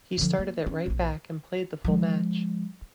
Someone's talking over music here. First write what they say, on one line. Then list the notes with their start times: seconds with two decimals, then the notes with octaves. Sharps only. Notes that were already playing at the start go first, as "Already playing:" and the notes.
He started at right back and played the full match.
0.18 D3 F3
0.39 A#3
0.66 C#4
0.86 D#1 A#1
1.84 F3 G#3